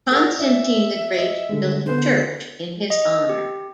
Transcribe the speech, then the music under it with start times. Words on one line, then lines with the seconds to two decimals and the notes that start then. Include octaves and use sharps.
Constantine the Great built a church in his honour.
0.10 G#4 A#4 F#5
0.39 D5 E5
1.18 D#5
1.49 D3 G3 G#3
1.86 D3 B3 C5
2.90 D#5
3.29 G4